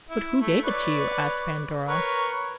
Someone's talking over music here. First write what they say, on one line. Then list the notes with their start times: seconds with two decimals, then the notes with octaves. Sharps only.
"But who gave it to you?" asked Pandora.
0.09 E4
0.41 A3
0.63 B4 C#5 D5
1.88 A#4 B4 C#5